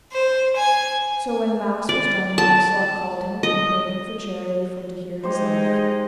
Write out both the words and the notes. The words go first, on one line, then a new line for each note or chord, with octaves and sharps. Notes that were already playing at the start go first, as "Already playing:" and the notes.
So when mass was done Launcelot called him, and prayed him for charity for to hear his life.
C5
G#5
D5
A5
D#5
G#3 D#4 G4 C5 D#5